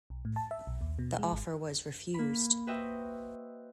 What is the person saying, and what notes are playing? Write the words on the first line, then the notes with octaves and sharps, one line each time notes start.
The offer was refused.
B1
A2
A5
E5
B1
D#2
B2
G#3
G#1
A#3 B5
F#4 B4 C5 D#5 E5 G5